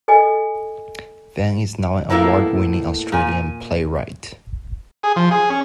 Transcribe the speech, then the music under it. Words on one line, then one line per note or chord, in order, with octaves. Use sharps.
Van is now an award-winning Australian playwright.
A4 D#5 G#5
A2 A#3 B3 E4 A4 F5
A#2 G#5
G#4
F3
G#4
C#4